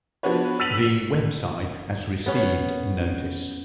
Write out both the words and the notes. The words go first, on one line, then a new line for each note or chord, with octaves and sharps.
The web site has received notice.
F3 B3 D4 F#4 B4 C#5
E6 A6 B6 D#7 F7 F#7
B3 C#4